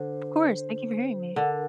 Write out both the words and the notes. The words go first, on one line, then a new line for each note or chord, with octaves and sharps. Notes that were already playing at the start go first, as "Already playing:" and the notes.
Of course. Thank you for hearing me.
Already playing: D3 C5
D3 A#4